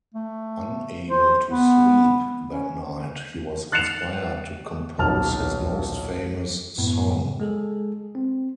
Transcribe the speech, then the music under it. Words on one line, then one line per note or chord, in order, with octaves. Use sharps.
Unable to sleep that night, he was inspired to compose his most famous song.
A3
C5
B3
C#4
F#6 A6 C7 C#7 E7 F7
D#1 B1 A5 F6
F#2 A2 B3
G#3 G#4 A4
C4